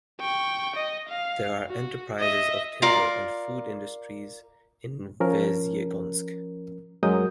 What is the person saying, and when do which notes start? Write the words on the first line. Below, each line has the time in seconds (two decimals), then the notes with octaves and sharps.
There are enterprises of timber and food industries in Vesyegonsk.
0.21 G5 C#6
0.76 D#5
1.09 F5
1.67 F#4
2.19 D#5 E5
2.82 F4 A#4 D5
5.20 F3 C#4 A#4
7.03 F#2 F#3 G#3 A#4 D#6 G6